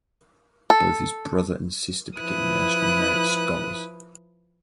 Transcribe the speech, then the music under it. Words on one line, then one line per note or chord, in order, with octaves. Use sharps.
Both his brother and sister became National Merit Scholars.
A4
F3 E4 B4 D#6 F#6